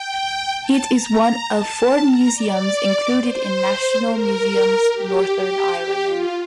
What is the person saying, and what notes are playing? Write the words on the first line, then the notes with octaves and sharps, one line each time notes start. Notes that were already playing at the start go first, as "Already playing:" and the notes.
It is one of four museums included in National Museums Northern Ireland.
Already playing: G5
A5
A#5
A#5
A5
A5
A#5
D5
C5
A#4
G4
G4
G4
F4